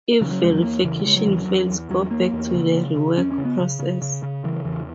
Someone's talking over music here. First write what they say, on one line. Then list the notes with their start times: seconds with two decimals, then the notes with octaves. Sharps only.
If verification fails, go back to the rework process.
0.21 C#3 F#3
0.26 E3
0.31 F#3
0.42 E2 G#3
0.53 F#3
0.64 E2 A#3
0.84 C#3 E3
1.06 C#3 G#3
1.16 F#3
1.26 E2 E3
1.37 F#3
1.48 E2
1.70 E2
1.90 E2 F#3
2.11 E2 A#3
2.33 E2
2.54 C#3
2.75 C#3
2.96 C#3
3.17 E2 C#4
3.31 C#4
3.38 C#3
3.45 B3
3.60 C#3
3.80 C#3
4.02 C#3
4.23 C#3
4.44 C#3 E3
4.64 E2 E3